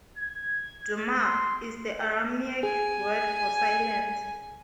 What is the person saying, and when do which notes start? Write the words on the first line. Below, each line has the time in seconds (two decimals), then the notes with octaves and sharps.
"Dumah" is the Aramaic word for silence.
0.18 G#6
1.21 C6
2.63 G#4 G#5